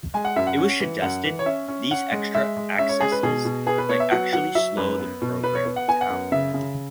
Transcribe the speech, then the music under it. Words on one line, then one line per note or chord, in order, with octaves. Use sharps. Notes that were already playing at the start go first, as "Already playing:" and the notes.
It was suggested these extra accesses might actually slow the program down.
G#3 G#5
F#5
F#2 E5
F#5
C#4
E3
F#2 F#5
E3
C#5
C#4 E5
C#4
C#4 F#5
G#3
G#3 E5
G#3
C#4 E5
C#5
G#3 G#4
B4
B2 G#4
B2
B3 G#4
B4
B3 C#5
E5
F#3 F#5
F#3 F#5
F#3 E5
F#2 B4
B3
B2
B3 B4
C#5
B3
F#5
B3 G#5
F#5
F#2
C#3 E5
C#3